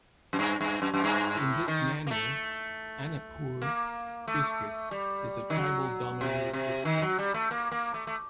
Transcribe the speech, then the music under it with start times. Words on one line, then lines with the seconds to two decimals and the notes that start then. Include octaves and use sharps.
In this manner, Anuppur District is a tribal dominated district.
0.33 F#2
0.39 G2
0.61 G2
0.82 F#2
0.94 F#2
1.04 G2
1.35 A2
1.68 D#3
2.07 A#3
2.11 A3
3.62 A#3
4.27 A3
4.91 G3
5.50 D#3
5.56 F#3
6.21 C3
6.53 C3
6.85 D#3
7.02 F#3
7.19 G3
7.34 A3
7.51 A#3
7.71 A#3
7.94 A3
8.07 A3